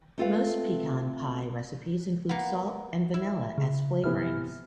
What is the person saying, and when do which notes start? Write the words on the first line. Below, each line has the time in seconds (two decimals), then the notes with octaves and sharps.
Most pecan pie recipes include salt and vanilla as flavorings.
0.18 A3 C4 F4 A4 B4 F5
2.29 A#3 B3
3.14 E4
3.58 C#3
4.04 C3 E3 B3 F6